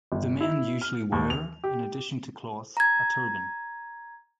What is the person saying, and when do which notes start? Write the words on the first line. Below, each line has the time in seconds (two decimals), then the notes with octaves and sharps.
The men usually wear, in addition to cloth, a turban.
0.12 G1
0.41 E4
0.82 F6
1.12 D#2
1.30 F7
1.64 G4
2.77 A#5 G#6